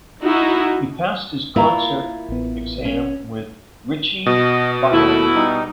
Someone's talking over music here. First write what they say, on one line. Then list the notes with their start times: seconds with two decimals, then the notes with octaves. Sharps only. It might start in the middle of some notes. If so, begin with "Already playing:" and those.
He passed his concert exam with Richie Beirach.
0.23 D#4 E4 F#4
1.56 A#3 E4 F4 A#4 D5 A#5
2.29 A1 B3
2.85 C#4
4.26 B2 D#5
4.92 D#2 A3 E4
5.35 G3 D#4